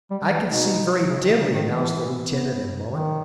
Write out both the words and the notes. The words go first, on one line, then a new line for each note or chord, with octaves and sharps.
"I can see very dimly," announced the lieutenant in a moment.
G3
E3
B2 D#4
C#3
D#3
C#3
D#3
E3 B3
B3
D#3